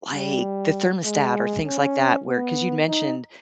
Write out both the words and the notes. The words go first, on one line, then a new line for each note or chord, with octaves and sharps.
like the thermostat or things like that where 'Cause you'd mentioned,
G3
G#3
C#4
B3
D#4